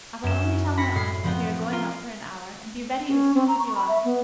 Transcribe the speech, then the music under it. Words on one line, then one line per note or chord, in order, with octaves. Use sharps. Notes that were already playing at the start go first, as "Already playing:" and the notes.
I will only tell my aunt that we are going out for an hour, and be ready as soon as you are.'
F#2 E7
B5 A#6 C#7
A2 C7
F3 B3 C4
F4 A#4
C#4
C4
A#5
C#6
B5
E5
B3